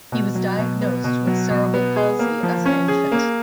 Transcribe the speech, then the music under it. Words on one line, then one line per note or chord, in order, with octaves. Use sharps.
He was diagnosed with cerebral palsy as an infant.
B2
F#3
B2
B3
B2
F#3
B2
B3
G#4
A#3
F3
C#4
G#4
A#3